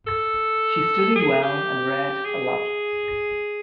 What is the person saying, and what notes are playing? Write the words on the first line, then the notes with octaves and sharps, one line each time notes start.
She studied well and read a lot.
A4
G#4
G4
G#4